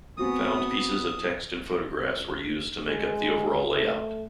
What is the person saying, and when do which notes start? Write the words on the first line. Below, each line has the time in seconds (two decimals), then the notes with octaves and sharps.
Found pieces of text and photographs were used to make up the overall layout.
0.17 B3 C4 F#4 G#5 D#6
1.87 C#2
2.86 G#3
3.72 A3